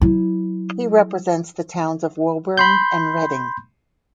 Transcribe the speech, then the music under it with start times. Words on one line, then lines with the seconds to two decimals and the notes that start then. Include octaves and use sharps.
He represents the towns of Woburn and Reading.
0.02 F#3 E4
2.57 B5 C6 G6